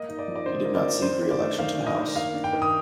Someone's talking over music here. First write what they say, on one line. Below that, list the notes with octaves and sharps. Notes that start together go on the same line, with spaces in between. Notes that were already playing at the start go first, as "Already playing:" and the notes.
He did not seek re-election to the House.
Already playing: A#3 D#5
D#4
D5
F3
D5
D3 C5
A#3
D5
D#4
D4 C5
D#3
D5
A3
D#3 F5
D4
D#5
D#3
A#3 F5
D4
G5
D#3
D#6